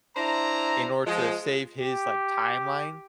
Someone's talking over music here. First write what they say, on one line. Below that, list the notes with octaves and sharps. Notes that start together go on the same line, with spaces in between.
in order to save his, like, timeline,
D4 E4 C5 A#5
F3 G#3
G4